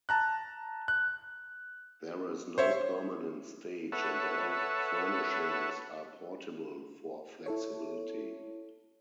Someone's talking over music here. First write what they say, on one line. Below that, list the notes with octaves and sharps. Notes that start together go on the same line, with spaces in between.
There is no permanent stage and all furnishings are portable for flexibility.
A5 A#5 F#6
F#6
C5 C#5 E5
A4 B4 C#5 E5 F#5
E4 A4 C#5